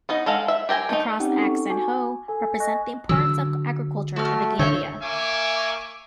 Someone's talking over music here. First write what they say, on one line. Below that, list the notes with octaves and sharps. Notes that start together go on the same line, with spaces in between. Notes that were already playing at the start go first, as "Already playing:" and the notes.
The crossed axe and hoe represent the importance of agriculture to The Gambia.
B3 D#4 D#5
G#3 A4 F5 F#5
E5
G4 A#4 G5 G#5
A3 D#4
C4 C#4 D#4 G4 F#5 G5
A4 C#6
F#4 G#5 A5 D6
A4 G#5
D#5 G#5 C#6 F#6 A#6
D3 F#3 E6
A3 F#4 F6
D3 C#5 E5 F5 C#6 G6
A#3 E5 G#5 C#6 D6